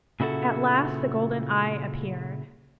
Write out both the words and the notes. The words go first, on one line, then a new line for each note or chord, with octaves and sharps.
At last the golden Eye appeared.
A#2 C#3 E4 F#4 A4